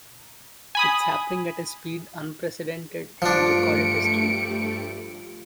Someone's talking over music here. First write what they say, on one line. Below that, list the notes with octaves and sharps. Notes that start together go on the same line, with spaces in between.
It's happening at a speed unprecedented in recorded history.
G#5 B5 D#6
G2 F3 G3 A3 D4 C#7 D7